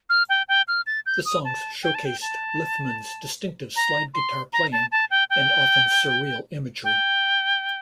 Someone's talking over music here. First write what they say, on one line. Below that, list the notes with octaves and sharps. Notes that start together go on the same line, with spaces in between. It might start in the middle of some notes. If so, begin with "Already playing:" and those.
The songs showcased Lithman's distinctive slide guitar playing and often surreal imagery.
F6
G5
G5
F6
A6
G6
D#6
A5
G5
A5
G5
A5
A#5
C6
A#5
A5
A5
G5
G5
G5